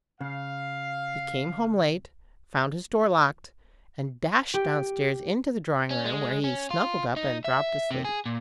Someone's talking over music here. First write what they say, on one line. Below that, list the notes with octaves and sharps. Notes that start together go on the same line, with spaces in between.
He came home late, found his door locked, and dashed downstairs into the drawing-room, where he snuggled up and dropped asleep.
C#3 F5
G4
C#4
G#3
C#4
F4
D#4
E5
C3
G#4
A#2